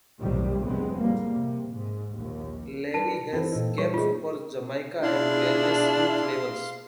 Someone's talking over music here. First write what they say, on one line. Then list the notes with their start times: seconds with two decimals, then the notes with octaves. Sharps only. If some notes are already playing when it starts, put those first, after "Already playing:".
Levee has caps for Jamaica at various youth levels.
0.21 B1 F2 A2 C3 D#3 G3
0.63 F1 C#2 G2 G#3 B3 C4
0.99 A2 G3 A#3
1.35 C3
1.73 G#2
2.18 A#1 D#2
2.94 G3 B4 A5
3.33 E3 C4 G4 A4 B4
3.52 A#2 D#4 A4
3.78 G3 G4 A4 C#5 C#6
3.94 A3 D#4 F4 G#4
5.02 B2 D4 E4 F4 G#4 F5 C6